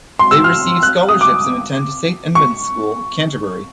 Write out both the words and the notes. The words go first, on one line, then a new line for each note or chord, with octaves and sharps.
They receive scholarships and attend Saint Edmund's School, Canterbury.
C6
E6
F6
F#6
D#6
D6
C#6